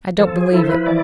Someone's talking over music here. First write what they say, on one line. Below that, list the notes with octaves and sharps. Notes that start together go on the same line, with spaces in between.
"I don't believe it!"
F3 A4
G#4
E4 A4
C5
B4
E3 D5